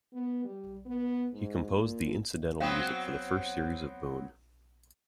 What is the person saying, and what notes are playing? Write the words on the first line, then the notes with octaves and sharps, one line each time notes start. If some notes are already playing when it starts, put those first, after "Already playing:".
He composed the incidental music for the first series of "Boon".
B3
G3
B3
G#2
A#2
F#3 B3 C4 F5 G5 D#6